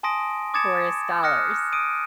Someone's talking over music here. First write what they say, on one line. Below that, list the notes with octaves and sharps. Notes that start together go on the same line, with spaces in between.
tourist dollars.
G#5 A5 C6 D#6 A#6 D7
D6 D#6 G#6 A6 C#7 E7
D#6 F6 F#6 A#6 C#7
D#6 D7 D#7